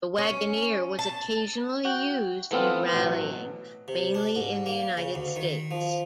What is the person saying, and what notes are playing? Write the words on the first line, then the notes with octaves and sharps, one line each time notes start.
The Wagoneer was occasionally used in rallying, mainly in the United States.
C#4
A5
F#4 G5
E3 A3 B3 C4 F4
A1 B2 F#3
C3
D4
G#2
A#3
C#3
D2
D#3
F3